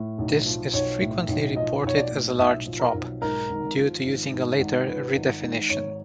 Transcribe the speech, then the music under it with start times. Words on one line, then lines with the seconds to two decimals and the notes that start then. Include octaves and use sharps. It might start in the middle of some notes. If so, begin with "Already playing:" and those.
This is frequently reported as a large drop, due to using a later redefinition.
Already playing: A2
0.18 B1
0.46 F3
0.74 B1 C#5
1.01 A2
1.28 B1
1.56 F3 D#5
1.84 B1 C#5
1.97 D5
2.12 A2
2.39 B1 E5
2.66 F3
2.80 A#4
2.94 B1
3.22 G#2 A#4
3.49 G#1
3.77 F3
4.04 G#1
4.32 G#2
4.59 G#1
4.87 F3 B4
5.15 G#1
5.42 G#2
5.70 G#1 C#5